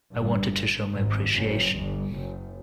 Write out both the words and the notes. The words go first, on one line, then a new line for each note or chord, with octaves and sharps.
I wanted to show my appreciation.
G1 G2
G#1 G#2
F#1 F#2
G1 G2
F#1 F#2